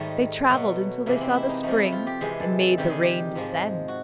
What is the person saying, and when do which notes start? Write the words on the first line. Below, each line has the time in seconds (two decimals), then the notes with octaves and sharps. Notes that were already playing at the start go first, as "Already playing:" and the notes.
They travelled until they saw the spring and made the rain descend.
Already playing: G#2 D#3 G3 A3
0.49 B2 F#3 A3
1.06 C3 E3 G#3 A#3
1.21 C4
1.35 E4
1.49 D#4
1.63 C3 F3 A3 D#4
1.78 E4
1.92 F4
2.07 G4
2.21 C3 E3 G#3 G#4
2.40 A4
2.59 A4
2.78 C3 D#3 G3 G4
2.90 G#4
3.03 G4
3.35 G#2 F3 G#3
3.88 F#4